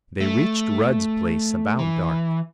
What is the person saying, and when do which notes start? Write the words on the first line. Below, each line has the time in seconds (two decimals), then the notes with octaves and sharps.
They reached Rudd's place about dark.
0.20 A3
1.79 E3